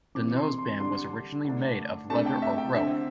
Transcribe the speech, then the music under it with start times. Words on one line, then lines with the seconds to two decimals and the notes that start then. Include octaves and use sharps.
The noseband was originally made of leather or rope.
0.15 C3 E3 C4 D6
0.37 C6
0.58 C6
0.80 D3 G3 D4 C6
1.45 D3 A3 D4
2.09 C3 A3 D4 A5
2.26 G5
2.42 E5
2.58 G5
2.74 D3 C4 E5